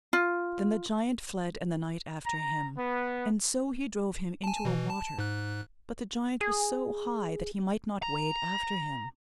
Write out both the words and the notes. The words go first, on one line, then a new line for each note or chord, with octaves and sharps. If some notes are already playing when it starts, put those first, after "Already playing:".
Then the giant fled and the knight after him, and so he drove him into a water, but the giant was so high that he might not wade after him.
F4
A#5
B3
G#5 A5
B2 E3
A5
G#2 F#6
G#4
A#5